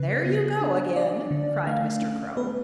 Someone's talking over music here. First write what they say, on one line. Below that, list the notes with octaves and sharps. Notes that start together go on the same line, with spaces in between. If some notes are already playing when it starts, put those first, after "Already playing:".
"There you go again!" cried Mr. Crow.
Already playing: C#3 B4
B3
D4
D4 D5
D3
A3 F5
C#4
B3 B4